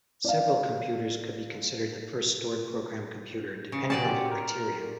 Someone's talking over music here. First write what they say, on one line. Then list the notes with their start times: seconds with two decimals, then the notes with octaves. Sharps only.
Several computers could be considered the first stored-program computer, depending on the criteria.
0.25 D5 F5
3.72 C#3
3.90 A#2 C#4 F#4 G4 D5 A5
4.32 A#4